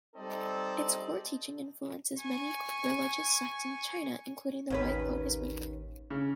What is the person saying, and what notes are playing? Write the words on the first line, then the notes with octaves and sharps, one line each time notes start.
Its core teaching influences many religious sects in China, including the White Lotus movement.
G3 C4 D#4 A4 D5 D#5
G#5 C#6
A1 D#2 C#4 B4
C#3